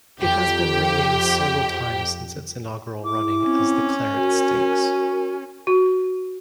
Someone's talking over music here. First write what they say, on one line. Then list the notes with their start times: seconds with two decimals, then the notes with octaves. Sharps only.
It has been renamed several times since its inaugural running as The Claret Stakes.
0.20 F2 G4 G5
3.04 E4 D6
3.45 C4 C#4
4.14 F#4 A#4 G#5
5.67 F#4